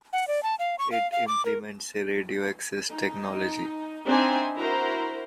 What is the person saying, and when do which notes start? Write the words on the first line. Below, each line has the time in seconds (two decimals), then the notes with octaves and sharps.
It implements a radio access technology.
0.13 F#5
0.28 D5
0.43 A5
0.59 F5
0.79 C#6
0.92 F5
1.12 F5
1.28 D6
1.45 A#4
2.90 D#4
4.07 C4 D4 D#4 C5 E5 G#5
4.56 E4 F#4 A#4 C5 A#5